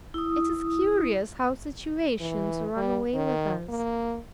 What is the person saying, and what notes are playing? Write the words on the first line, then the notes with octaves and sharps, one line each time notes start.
It is curious how situations run away with us.
E4 D#6
E3
G3
D#3
A#3